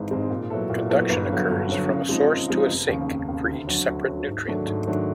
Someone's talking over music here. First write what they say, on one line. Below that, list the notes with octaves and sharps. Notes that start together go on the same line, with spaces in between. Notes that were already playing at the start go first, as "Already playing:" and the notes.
Conduction occurs from a source to a sink for each separate nutrient.
Already playing: G#1 G#2 E3 G#3 C4
G#2 E3 G#3 C4
A#2
F#3 B3 E4 A4
A#2
F#3 B3 E4 A4
G1
G2 D3 F#3
G1
G2 D3 F#3
C#3
F3 G#3 C4 D#4
C#3
F3 G#3 C4 D#4
F1
D#2 C#3
F1
D#2 C#3
D2
D3 F#3
D2
D3 F#3
G#2
D#3 F#3 A3 D4
G#2
D#3 F#3 A3 D4